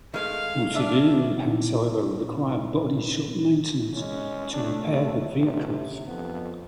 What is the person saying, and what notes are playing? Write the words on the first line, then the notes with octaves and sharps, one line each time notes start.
More severe impacts however, require body shop maintenance to repair the vehicles.
D#3 G#3 A3 F5
D4 E5
A#2 C4 D#4 E4
G#3 C#4
A3 D4
D#2
A1 C3
F2 B3